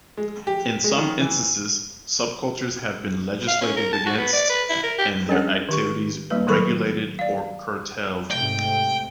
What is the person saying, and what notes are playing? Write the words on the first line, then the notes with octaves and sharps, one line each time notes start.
In some instances, subcultures have been legislated against, and their activities regulated or curtailed.
G#3
G4
G#3
D#3
E3
F5
C#4
A#4
A5
F#4
B3
D5
B4
E4
A#4
G4
G3 C#4 D4 G#4 C#5 F#5
D#3 G4 C#6
G3 A#3 B4
D#3 F#3 A4 A#4 B5 C#6
D5 F5
G#2 C3 A3 G5